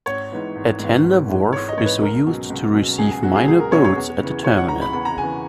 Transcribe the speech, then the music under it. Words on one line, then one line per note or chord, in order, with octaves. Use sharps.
A tender wharf is used to receive minor boats at the terminal.
G#1 C#5
G#2 E3 B3
G#1
G#2 E3 B3
G#1
G#2 E3 B3
G#1 C#5
D#5
G#2 E3 B3 C#5
B4
C#2 A#4
B2 F#3 C#4
C#2
B2 F#3 C#4
C#2 G#4
G#4
B2 F#3 C#4 F#4
G#4
C#2 G#4
A#4
B2 F#3 C#4 C#5
C#5
E2
C#3 E3
E2 C#5
F#5
C#3 E3 A#5
B5
E2 B5
A#5
C#3 E3 G#5